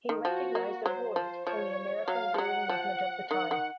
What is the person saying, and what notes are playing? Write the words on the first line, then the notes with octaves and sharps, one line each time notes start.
He recognized a void in the American Brewing movement of the time.
D#3
F3 F#4
A#3
F#3 C5
F3 C5
F3 C#5
F#3 F5
F3
F#3 F#5
F3
D#3 F#5
D#3